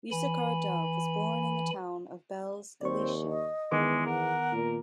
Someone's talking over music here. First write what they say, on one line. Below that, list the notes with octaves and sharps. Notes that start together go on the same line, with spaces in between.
Yissachar Dov was born in the town of Belz, Galicia.
E3 G#5 B5
D#2 C4 D5 C#6
D#5
E2 D#3 G#3 B3 D6
A#4 F#5
A#2